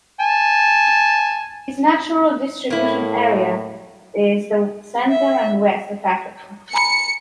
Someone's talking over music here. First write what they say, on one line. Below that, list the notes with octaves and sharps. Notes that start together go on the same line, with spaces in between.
Its natural distribution area is the center and west of Africa.
G#5 A5
A2 A#3 E4
E5
G#5 A#5 B5 C#7